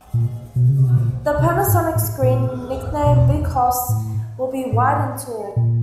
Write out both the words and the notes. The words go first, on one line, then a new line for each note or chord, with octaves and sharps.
The Panasonic screen, nicknamed "Big Hoss", will be wide and tall.
A#2
B2
C#3
C3
B2
A#2
C3
G#2
A2
A#2
B2
A2
A2
A#2